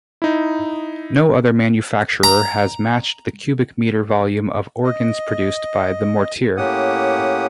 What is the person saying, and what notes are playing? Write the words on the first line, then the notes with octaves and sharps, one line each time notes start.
No other manufacturer has matched the cubic meter volume of organs produced by Mortier.
D#4 E4
A#5
D#5
A2 A#3 C#4 G4 F#5 D#6